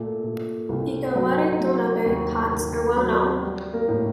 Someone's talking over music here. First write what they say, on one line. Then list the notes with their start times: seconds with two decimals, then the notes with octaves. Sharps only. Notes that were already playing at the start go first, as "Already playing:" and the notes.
Iga ware "donabe" pots are well-known.
Already playing: A#2 A3
0.23 A#2
0.69 C2
1.16 F#3
1.61 F#3
2.06 D#2
2.51 D#2
2.97 F#3
3.43 G3
3.73 A#3
3.88 A2